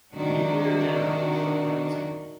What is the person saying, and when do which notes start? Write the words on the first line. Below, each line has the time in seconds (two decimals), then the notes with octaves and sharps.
The nuclear generators shut down safely.
0.12 C3 D#3 D4 F#4